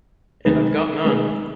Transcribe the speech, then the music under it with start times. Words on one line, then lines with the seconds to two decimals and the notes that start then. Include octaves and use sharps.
And I’ve got none.
0.45 D#3 G#3 D#4 G#4 B4
1.04 D#3 G#3 D#4 G#4 B4